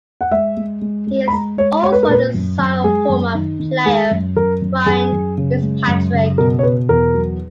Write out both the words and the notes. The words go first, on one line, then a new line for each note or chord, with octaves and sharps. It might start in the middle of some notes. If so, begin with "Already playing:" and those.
He is also the son of former player Brian Fitzpatrick.
F#5
G#3 E5
G#3
G#3
G#3
B5
G#3 A#5
G#3 C#5
G#3 C#5
B4
A#4
A#2 B4
F#2
F#2
G#3 G#4
F#2
D#3
D#3
G#3 G#4
F#2
F#2 A#4
F#2
F#2 G#4
F#2
C#3
G#3
F#2
C#3
B2 A#4
C#5
B2 B4
E2 A#4
F#3